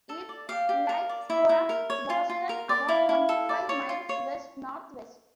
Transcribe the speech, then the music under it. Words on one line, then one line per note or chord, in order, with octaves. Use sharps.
It lieth from Boston about twenty-five miles west north west.
A4
D5
G4 F5
G4
A#4
D5
E4 E5
E4
A#4
C#5
F4
F4
A#4
D5
E4 F5
E4
A4
D5
C#5
F4
C#5